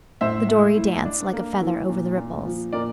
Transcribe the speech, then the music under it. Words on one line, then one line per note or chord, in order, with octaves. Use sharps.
The dory danced like a feather over the ripples.
A2 C5 E5
A3
E4
D4
A#3
E3
A#2
A#2
F3
A#2 A#4 D5